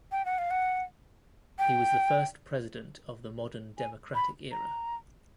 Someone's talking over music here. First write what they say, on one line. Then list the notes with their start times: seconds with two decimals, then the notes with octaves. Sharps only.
He was the first president of the modern democratic era.
0.12 G5
0.25 F#5
0.38 F5
0.51 F#5
1.59 G5
3.78 G#5
4.15 B5
4.52 A#5